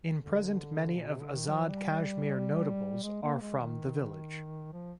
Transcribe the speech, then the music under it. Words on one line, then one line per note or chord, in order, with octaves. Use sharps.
In present many of Azad Kashmir notables are from the village.
D3
A#2
C3
D3
D#3
G3
F3
G3
G3
G#3
A#3
G#3
D#3
F3